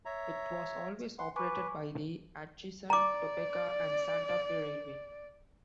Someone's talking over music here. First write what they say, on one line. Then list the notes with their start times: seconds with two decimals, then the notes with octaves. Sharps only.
It was always operated by the Atchison, Topeka and Santa Fe Railway.
0.05 C#5 E5 A#5
1.19 F#5 C6
1.36 B4 G#5 C#6 D6
2.90 D5 A#5 D6